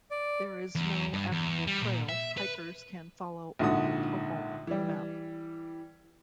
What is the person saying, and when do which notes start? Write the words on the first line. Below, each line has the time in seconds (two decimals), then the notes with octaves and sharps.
There is no actual trail, hikers can follow a topo map.
0.11 D5
0.75 E2
1.13 G2
1.32 E2
1.67 G3
1.82 A#2
2.09 E5
2.38 B4
3.59 A#1 G#2 D3 F#4 D#6
4.67 E3 G3